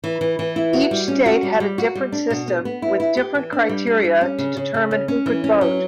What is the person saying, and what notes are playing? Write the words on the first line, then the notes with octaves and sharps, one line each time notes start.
Each state had a different system, with different criteria to determine who could vote.
E3
E3
E3
E4
F#4
G3
C#4
F#4
G3
G3
F#4
G3
D4
B2
B3
B3
E4
E4
G4
E3
D4
G3
D4
G3
C#4
C#3
C#3
C#3
C#4
C#4
E3
C#4
F#3